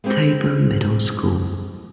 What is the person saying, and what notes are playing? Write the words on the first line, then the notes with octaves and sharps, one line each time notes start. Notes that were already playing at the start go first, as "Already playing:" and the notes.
Tabor Middle School.
G#3 B3 C4 G4